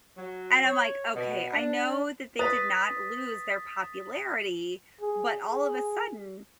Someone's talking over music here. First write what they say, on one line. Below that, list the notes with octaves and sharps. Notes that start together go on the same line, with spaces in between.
and I'm like, "Okay, I know that they did not lose their popularity, but all of a sudden,
F#3
C#5
B2
D4
B4 D#6 A6 B6
G#4
G#4